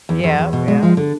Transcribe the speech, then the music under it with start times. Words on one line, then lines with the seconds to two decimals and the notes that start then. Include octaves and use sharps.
Yeah yeah.
0.09 E2
0.24 E2
0.38 E2
0.53 B2
0.68 G#3
0.83 F3
0.97 D3